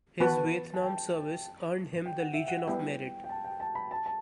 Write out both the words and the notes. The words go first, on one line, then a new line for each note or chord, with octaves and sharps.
His Vietnam service earned him the Legion of Merit.
E3 B3 F#4 B4 A5
A5
G5
G5
F#5
E5
F#5
G3 B3 E4 G5
G5
A5
G5
A5
B5
A5
A5